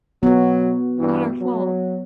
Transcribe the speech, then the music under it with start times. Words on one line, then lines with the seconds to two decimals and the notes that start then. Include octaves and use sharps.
Other flaw.
0.23 B2 F#3 B3 F#4
0.99 G2 E3
1.41 F#3